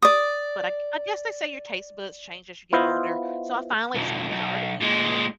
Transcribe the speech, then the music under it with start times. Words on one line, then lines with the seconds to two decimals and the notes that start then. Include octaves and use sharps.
But I g I guess they say your taste buds change as you get older, so I finally started eating it.
0.02 D5 D#6
2.72 B3 E4 F4 C5 D#5
3.95 B1 F2
4.30 B1
4.80 A#2 G#3